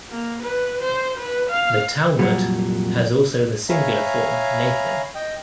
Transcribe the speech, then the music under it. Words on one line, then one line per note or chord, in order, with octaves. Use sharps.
The Talmud has also the singular form Nathin.
A#3
B4
C5
B4
F5
C2 F2 A#2 F#3 G3
C#5 E5 F5 G#5 A#5 B5
D#5 G5